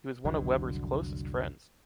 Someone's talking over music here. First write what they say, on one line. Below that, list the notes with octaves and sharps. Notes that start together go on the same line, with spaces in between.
He was one of Weber's closest friends.
F1 C2 D3 F#3